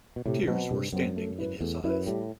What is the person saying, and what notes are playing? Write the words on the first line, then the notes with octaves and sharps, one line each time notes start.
Tears were standing in his eyes.
B2
A2 C3
A2
B2 F#3 C4
G2 C3
F#2 F#3 C4
A3
E4 B4
E2 A3
F#2 E4 B4
A2 G3